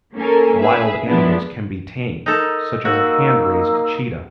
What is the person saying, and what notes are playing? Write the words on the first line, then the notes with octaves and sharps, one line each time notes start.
Wild animals can be tame, such as a hand-raised cheetah.
A#3 C#4 A4 A#4 G#5
G#4 B4 E5
F3 G#3 B3 D4 E4
D#4 A4 A#4
A#3 D#4 F#4 E6